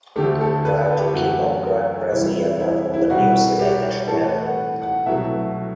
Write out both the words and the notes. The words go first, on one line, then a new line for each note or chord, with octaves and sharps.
Prior to kick-off Graham Brazier performed the New Zealand national anthem.
D2 D3 A3 G4
A4
B4
A4
G4
F#2 E3 A3 F#4
E2 C3 G3 E4
E4
E4
C2 B2 G3 F#4
G4
A2 E3 A3 A4
B4
F#5
F#5
C2 B2 F#3 A3 E5